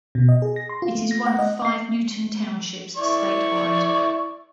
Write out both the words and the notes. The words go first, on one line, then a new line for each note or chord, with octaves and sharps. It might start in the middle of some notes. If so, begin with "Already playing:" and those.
It is one of five Newton Townships statewide.
B2
D#5
G#4
A#6
C6
F4
A3
A#6
F#5
D#5
C7
E4 D5 C#6